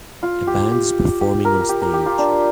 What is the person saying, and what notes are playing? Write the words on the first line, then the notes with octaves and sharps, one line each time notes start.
A band is performing on stage.
F4
G4
G4
G4
A#4
A#4
G4
A#4
G4
F4
D4